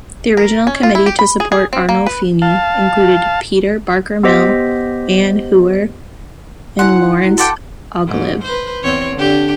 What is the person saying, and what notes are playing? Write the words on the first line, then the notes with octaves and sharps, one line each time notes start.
The original committee to support Arnolfini included Peter Barker-Mill, Ann Hewer, and Lawrence Ogilvie.
A#4
C#4
F4
E4
G4
B5
G#4
G#4
C4
A#3
B4
F5 A5
B3 G4 C5 D#5 B6
E4 F#5 G#5 C6
E4 F#4
A4 F#5 G5 A5 C6 D6
G#2
B4 C5
E2 C4 C#5
D3 D4 G4